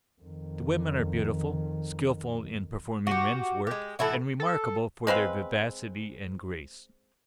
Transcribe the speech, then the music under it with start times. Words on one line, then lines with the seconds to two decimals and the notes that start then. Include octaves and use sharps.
The women are beautiful, skilful in performing men's work, and remarkable for their vivacity and grace.
0.22 F2 D#3
3.07 F#4 G4
3.67 G#3 G4
3.99 A2 E3 E4 F#4
4.40 A4
5.07 G#3 C4 B4 F5